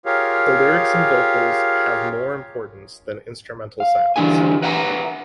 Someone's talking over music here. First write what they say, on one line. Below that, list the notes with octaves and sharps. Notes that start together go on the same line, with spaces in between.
The lyrics and vocals have more importance than instrumental sounds.
F4 G4 G#4 A#4 C#5 F5
F5
D3 E3 G3 D4 G#4 G#5
B4 E5 F#5 G#5 A#5